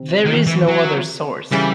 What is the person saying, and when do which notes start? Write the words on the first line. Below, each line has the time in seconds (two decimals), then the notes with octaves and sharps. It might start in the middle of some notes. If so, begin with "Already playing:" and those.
There is no other source.
Already playing: C3
0.25 D#3
0.47 E3
0.67 F#3
1.52 C#3 E3 G3